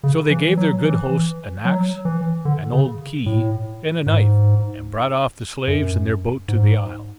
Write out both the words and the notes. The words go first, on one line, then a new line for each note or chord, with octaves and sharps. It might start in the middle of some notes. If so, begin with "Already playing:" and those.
So they gave their good hosts an axe, an old key, and a knife, and brought off the slaves in their boat to the isle.
C#3
E3
F#3
E3
F#3
E3
D3
C#3
A2
G#2
F#2
G#2